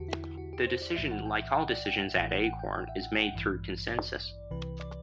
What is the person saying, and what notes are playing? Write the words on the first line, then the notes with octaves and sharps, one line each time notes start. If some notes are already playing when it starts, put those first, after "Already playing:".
The decision, like all decisions at Acorn, is made through consensus.
Already playing: E2 D3 F#4 G4
E4
F#4
G4
C5
D5
B1 A2 E3 E5
F#5
G5
F#5
D5
G5
A1 A2 E3 G5
F#5
F#5
G5
G5
E5
F#5
G5
F#5
A1 G2 E3
D5
C2 C3 E3 B4
D5